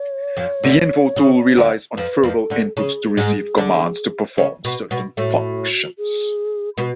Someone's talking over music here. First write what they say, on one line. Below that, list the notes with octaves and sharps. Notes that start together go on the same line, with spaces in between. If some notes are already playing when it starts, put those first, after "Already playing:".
The Info Tool relies on verbal inputs to receive commands to perform certain functions.
Already playing: C#5
F2 F3
D2 D3
C#3
D2 D3
F2 F3 B4
F2 F3
A4
D2 D3
C#3 G#4
G#2 G#3
D3 D4
C#3 C#4
B2 B3
B2 B3
A2 A3 F#4
G#4
B2 B3 F#4